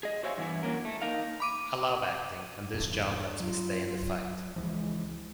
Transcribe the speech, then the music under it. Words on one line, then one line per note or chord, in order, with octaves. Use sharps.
I love acting and this job lets me stay in the fight.
G#4 D#5
F#4 C5 C#5 E5 F5 G#5
G2 E3 B3 E4 G#5
F#3 A#3 C#4 A#4
A3
A#3 D#4 A#4 F5
B5 D6 D#7
E2 G2 B2
F#3 F4
C#2 E3 F3 G#3